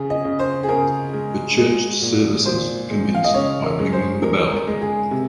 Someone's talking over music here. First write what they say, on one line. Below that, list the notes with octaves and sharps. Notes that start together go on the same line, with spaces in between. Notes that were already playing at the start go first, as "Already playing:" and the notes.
The church services commenced by ringing the bell.
Already playing: C#3 G#4
D#5
C#3
C5
G#4
C#3 A#4
G#3
G#3
A#2
A#2 C5
G#3
F5
D#5
C#3 C#5
A#4
G#3
C5
G#3 A#4
A#4
G#3
G#4
C3